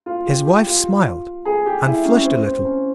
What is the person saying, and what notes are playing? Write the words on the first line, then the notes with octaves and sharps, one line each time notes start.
His wife smiled, and flushed a little.
F4
G4
G4
F4
G#4
G4
E4
C#4
C4
C4
C#4